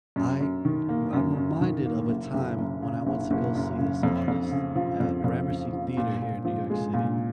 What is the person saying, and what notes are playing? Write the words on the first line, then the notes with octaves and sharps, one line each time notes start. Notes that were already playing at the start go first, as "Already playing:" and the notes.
I w I'm reminded of a time when I went to go see this artist at Gramercy Theater here in New York City
F#2
F#2
D#3
A#3
F#2
F#2
D#3
A#3
F#1
F#1
F#2
C#3
F#1
F#1
F#2
C#3
F2
F2
C#3
F3
F2
F2
C#3
F3
A#2
A#2
F3
G#3
A#2